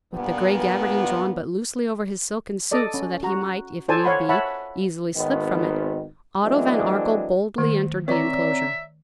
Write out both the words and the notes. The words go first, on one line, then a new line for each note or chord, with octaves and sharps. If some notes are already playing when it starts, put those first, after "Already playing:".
With the gray gabardine drawn but loosely over his silken suit, so that he might, if need be, easily slip from it, Otto von Arkell boldly entered the inclosure.
G2 A#2 B3
A4 D5 D#5
C#4
F#4 A#5
F4 A4 C5 D5 G#5 A5
C#5 F5 F#5 B5 C6
C#5 E5 F#5 A5 B5
G#1 D#3 B3
E3 F#3 G#3 A3 C4 D4
D#3 A3
C4 B4 C#5 D5 E5 A#5